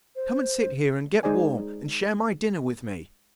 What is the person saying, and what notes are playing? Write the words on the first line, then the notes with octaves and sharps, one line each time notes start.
Come and sit here and get warm, and share my dinner with me.'
C5
G#3 D#4 G#4 C5 D5 G#5